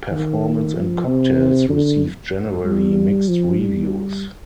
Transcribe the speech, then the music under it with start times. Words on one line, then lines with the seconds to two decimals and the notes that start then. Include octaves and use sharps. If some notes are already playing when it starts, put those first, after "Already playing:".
"Performance and Cocktails" received generally mixed reviews.
0.12 D#3
0.75 F3
1.07 C3
1.70 D3
2.65 G3
3.29 F3
3.60 G3